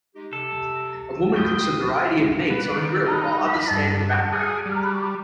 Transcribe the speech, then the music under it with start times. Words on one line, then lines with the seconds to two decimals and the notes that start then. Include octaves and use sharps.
A woman cooks a variety of meets on a grill while others stand in the background.
0.15 G#3 D#4 G4
0.33 C3 A4
1.36 G5 D#6
2.50 B4
2.77 D#3
3.06 D#4
3.71 G2
4.33 G#4
4.66 G3